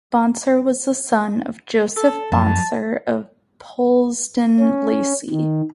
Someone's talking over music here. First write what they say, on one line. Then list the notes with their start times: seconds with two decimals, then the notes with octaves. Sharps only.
Bonsor was the son of Joseph Bonsor of Polesden Lacey.
1.96 A4
2.32 F#2 F3 F#3 A5
4.60 C#4
5.30 D#3